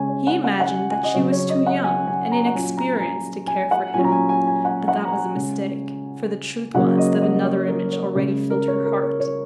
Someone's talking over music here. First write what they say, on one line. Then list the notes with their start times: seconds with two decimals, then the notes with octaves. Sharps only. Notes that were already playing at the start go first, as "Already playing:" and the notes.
He imagined that she was too young and inexperienced to care for him; but that was a mistake, for the truth was that another image already filled her heart.
Already playing: C#3 G#3 C#4 G#5
0.09 C#5
0.27 F#5
0.44 F#5
0.60 F#5
0.68 G#5
0.91 G#5
1.03 D#5
1.14 C#3 F#3 C#4 C#5
1.32 C#5
1.49 D#5
1.66 F#5
1.84 G#5
2.07 G#5
2.31 A#5
2.46 F#5
2.55 A#2 F#3 C#4 G#5
2.77 A#5
2.96 A#5
3.01 G#5
3.47 G#5
3.71 F#5
3.94 A#2 F#3 C#4 G#5
4.04 A#5
4.12 G#5
4.29 G#5
4.47 G#5
4.65 F#5
4.88 F#5
5.05 A#5
5.11 G#5
5.35 C#3 G#3 C#4
6.74 C#3 F#3 A#3 C#4 F#5
6.98 D#5
7.22 D#5
7.45 C#5
7.68 A#4
7.92 C#5
8.15 C#3 G#3 C#4 C#5
8.50 A#4
8.68 C#5
8.85 A#4
9.02 C#5
9.20 C#5